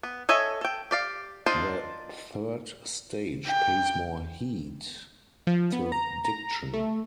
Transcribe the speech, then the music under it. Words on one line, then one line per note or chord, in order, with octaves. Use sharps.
The third stage pays more heed to diction.
B3
A4 C#5 D#5 E5 G#5
A4 G5
G4 D5 F5
D4 D#4 F4 C5 D#5
G5
F3
B3
A#5
A#5
A3